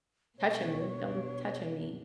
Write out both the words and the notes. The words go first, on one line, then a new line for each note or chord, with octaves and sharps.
touching me. Don't be touching me.
B2 D4 C#5